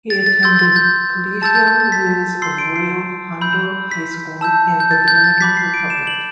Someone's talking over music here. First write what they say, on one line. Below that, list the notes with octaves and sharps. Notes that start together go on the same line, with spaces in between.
He attended Colegio Luz Arroyo Hondo High School in the Dominican Republic.
A6
A6
C6 E6 G6 A6
A6
G6
A5 E6 G6 A6
G6
G6
A6
B6
C6 E6 G6 C7
D7
C7
B5 E6 G6
B6
A5 E6 G6
G6
A6
G6
A6
B5 D6 F#6 B6
C7
D7
E7
F#7